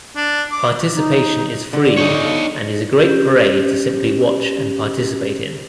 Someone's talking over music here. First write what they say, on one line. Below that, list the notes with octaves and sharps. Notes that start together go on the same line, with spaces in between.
Participation is free and is a great parade to simply watch and participate in.
D4
D6
D#4
D3
D#4 C#5
C#4 G4